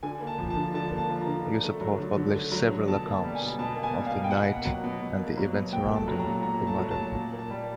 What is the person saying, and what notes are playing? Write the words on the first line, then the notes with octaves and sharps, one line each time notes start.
Yusupov published several accounts of the night and the events surrounding the murder.
D3 G#5
A#3
A5
F3
A5
D3
D3 A5
A#3
A5
F3
A#5
D3
D3
A3
F#3
D3
D3
A3
F#3
D3
B2 A5
A#3
A5
G3
G#5
B2
B2 A5
A#3
G#5
G3
F5
B2
G5
B2 F#5
A#3
F#3
B2
B2
A#3
F#3
B2
A#2 G5
A3 A5
F#3
A#5
A#2
A#2 A#5
A3
A5
F#3
A5
A#2
A#2
A#3
A5
G3